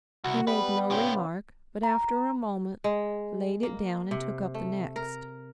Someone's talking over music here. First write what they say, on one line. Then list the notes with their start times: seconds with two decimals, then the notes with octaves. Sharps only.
He made no remark, but after a moment laid it down and took up the next.
0.24 C2 F#4
0.47 G3 B3 B4
0.91 A2 C#3 F4 G5
1.83 A#5
2.84 G#3
3.63 A#3
4.11 C3
4.54 A3
4.96 A#4